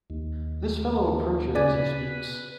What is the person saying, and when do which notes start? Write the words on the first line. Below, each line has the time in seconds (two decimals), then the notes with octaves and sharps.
This fellow approaches as he speaks.
0.10 D#2
1.55 C#3 B4 D5 G#5